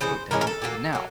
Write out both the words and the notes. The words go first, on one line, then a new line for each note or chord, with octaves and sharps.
put down a game. Now,
E3 G#3 C#4 C5
E3 G#3 C#4 A#4
A#4
A4
A#2 F#3 A#3
F#3 A#3